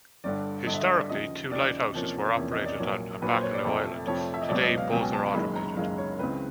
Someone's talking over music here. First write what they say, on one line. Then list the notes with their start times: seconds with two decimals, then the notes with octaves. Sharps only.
Historically, two lighthouses were operated on Baccalieu Island; today both are automated.
0.24 G1 G2 D3 D5
0.67 G1 G2 D3 D#5
0.74 E5
0.80 D#5
0.95 D5
1.09 D#2 C#3 F3 D#5
1.51 D#2 C#3 F3 D5
1.94 E2 C3 F3 A#3 C#4
2.36 E2 C3 F3 A#3 C#4
2.52 D#5
2.66 D5
2.79 A#1 A#2 F#3 A#3 C#5
3.22 A#1 A#2 F#3 A#3 B4
3.33 C5
3.43 C#5
3.54 D5
3.64 F2 C3 F3 A3
4.07 F2 C3 F3 A3 C#5
4.34 E5
4.42 D#5
4.49 C#2 B2 F#3 B3 D5
4.63 D#5
4.78 F5
4.92 C#2 B2 F#3 B3 G5
5.02 G#5
5.13 A5
5.34 F#1 F#2 D#3 G#3 B5
5.56 A#5
5.76 F#1 F#2 D#3 G#3 F5
5.98 C#5
6.19 C#2 C#3 E3 G#3 C4 B4